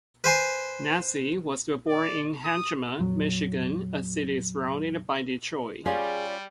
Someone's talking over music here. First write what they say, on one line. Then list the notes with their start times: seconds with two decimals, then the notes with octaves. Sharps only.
Nedzi was born in Hamtramck, Michigan, a city surrounded by Detroit.
0.24 B4 C5 G#5 C6
1.88 D5
2.45 D#6
2.99 F2 A#2 F#3
5.86 G3 C#4 F4 G#4 D5